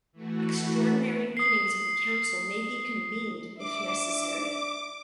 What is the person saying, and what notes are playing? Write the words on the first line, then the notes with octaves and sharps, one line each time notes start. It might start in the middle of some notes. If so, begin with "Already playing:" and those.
Extraordinary meetings of the Council may be convened if necessary.
E3 A3 F#4
D#6 C7
D4 E5 D6